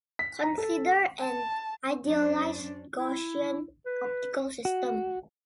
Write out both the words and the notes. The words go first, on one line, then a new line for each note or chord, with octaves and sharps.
Consider an idealised Gaussian optical system.
B6
A#5
A4
A5
F#2 C#4 D4 C5
E4
B4
F#4